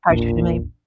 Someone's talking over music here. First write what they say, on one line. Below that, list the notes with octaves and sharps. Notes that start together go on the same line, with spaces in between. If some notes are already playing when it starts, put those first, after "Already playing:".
Partridge Family.
E1 A#1 A#2 D4